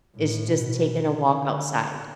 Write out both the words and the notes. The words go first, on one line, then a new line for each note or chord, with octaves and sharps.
is just taking a walk outside.
A2
B2
D3